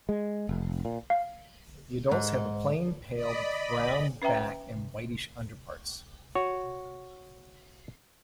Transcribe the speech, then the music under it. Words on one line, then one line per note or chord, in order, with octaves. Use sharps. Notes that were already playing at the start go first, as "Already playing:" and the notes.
The adults have a plain pale brown back and whitish underparts.
G#3
F1
A#2
F5
G#2
D5 D#5 B5
C#4 B4 E5 G5 A#5
F#4 C#5